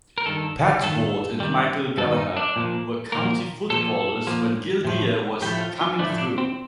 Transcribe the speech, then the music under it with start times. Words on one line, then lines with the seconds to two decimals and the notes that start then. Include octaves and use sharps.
Pat Ward and Michael Gallagher were county footballers when Gildea was "coming through".
0.18 A#4
0.26 G2 D#3 A4
0.83 G2 D#3 A4
1.40 G2 D#3 G3
1.98 G2 D#3 A4
2.17 D#4
2.36 D4
2.56 A#2 F3 A#3
3.12 A#2 F3 A#3 A#4
3.70 A#2 F3 A#3 A4
4.27 A#2 F3 A#3
4.85 A2 F3 A3
5.42 A2 F3 A3 G4
5.61 F4
5.81 F4
5.99 A2 F3 A3 D4
6.18 D4
6.38 C4